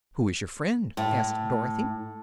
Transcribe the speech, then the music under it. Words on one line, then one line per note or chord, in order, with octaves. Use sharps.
"Who is your friend?" asked Dorothy.
A2